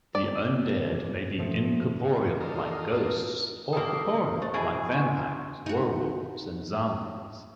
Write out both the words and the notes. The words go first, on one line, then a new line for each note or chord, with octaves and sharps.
The undead may be incorporeal like ghosts, or corporeal like vampires, werewolves, and zombies.
D5
G#2 B2 F3 A3
D4 F4 A4 A#4 D#5
A#3 G4 A4 D#6
A3 C5 D#5
B2 E3 G#4
G#5 C6 C#6
D#4 F#4